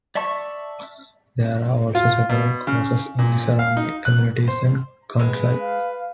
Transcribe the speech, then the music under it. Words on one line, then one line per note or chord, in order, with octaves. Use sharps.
There are also several courses in the surrounding communities and countryside.
D5 E5 A5 C#6
F4
B2
C#3
A#2
F5
D#4
F#6
C5
G#3 B4
F5